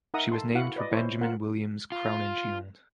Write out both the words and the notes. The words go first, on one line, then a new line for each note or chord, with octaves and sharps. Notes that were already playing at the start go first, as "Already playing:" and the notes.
She was named for Benjamin Williams Crowninshield.
D#4 A#4 E5 F#5 A#5 D#6
A4 A5 C6
E4 F#4 F5 F#5
B4 D5 D#5
E4 C5 C#5
F4 A#4 F#5
F4